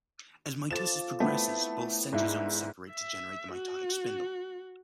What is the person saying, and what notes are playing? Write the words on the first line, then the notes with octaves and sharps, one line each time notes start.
As mitosis progresses, both centrosomes separate to generate the mitotic spindle.
F3 A4 D6 A6 E7
A3 B3 C4 E4
G#2 D4 E4
E5
F#4